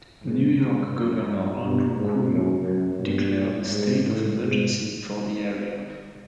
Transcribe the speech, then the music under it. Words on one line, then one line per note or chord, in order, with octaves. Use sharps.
New York Governor Andrew Cuomo declared a State of Emergency for the area.
G#2
G#2
F#2
G2
G2
G#2
F#2
F#2
G2
G#2
A2
G#2